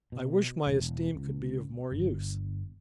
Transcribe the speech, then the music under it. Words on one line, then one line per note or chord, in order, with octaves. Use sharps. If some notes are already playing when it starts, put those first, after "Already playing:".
I wish my esteem could be of more use.
B2
E1
C#2
G1